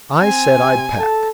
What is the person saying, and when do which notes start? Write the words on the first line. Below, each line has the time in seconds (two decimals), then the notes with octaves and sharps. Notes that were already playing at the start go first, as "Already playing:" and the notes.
I said I'd pack.
0.21 C4 G#5
0.61 C3
0.98 A4 A5